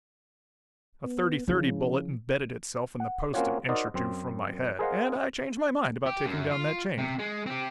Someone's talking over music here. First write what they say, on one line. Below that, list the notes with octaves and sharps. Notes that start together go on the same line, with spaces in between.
A thirty-thirty bullet embedded itself in the post an inch or two from my head, and I changed my mind about taking down that chain.
B3
C#3 F3 E4
F#5
A#3 C4 C#4 F4 F#4 C#5
D#4 F#4 A#4 C5 D5 D#5
F#2 C4 C5
G#4 A#4 C5 D#5 F5 F#5
G4
F#2
F4
C3
G#3
C4 G4